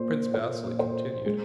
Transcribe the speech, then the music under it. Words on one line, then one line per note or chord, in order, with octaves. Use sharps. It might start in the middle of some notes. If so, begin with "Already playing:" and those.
Prince Vasili continued.
Already playing: A#2 C5
C5
C5
G#3